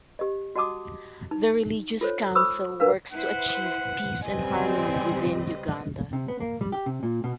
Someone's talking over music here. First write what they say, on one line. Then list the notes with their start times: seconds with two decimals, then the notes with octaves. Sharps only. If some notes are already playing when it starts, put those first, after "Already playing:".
The religious council works to achieve peace and harmony within Uganda.
0.19 G4 D#5
0.55 F#4 D#5 F#5 A5 D6 D#6
1.31 D#4
2.01 F4 A4 C5 C#5
2.35 C5 B5 C#6 D#6 E6
2.80 D4 A#4 B4 F5
3.13 E4 B4 C5 F#5
4.23 C#3 G3 C4 B4 D#5 G#5
6.13 C3
6.28 B3
6.40 A#3
6.61 G3
6.72 G4
6.86 C3
7.03 A#2
7.24 B2